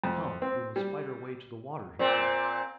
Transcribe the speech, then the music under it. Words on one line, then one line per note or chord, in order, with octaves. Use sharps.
"Come, we must fight our way to the water!" he cried.
F2
C4
G3
A#2 C4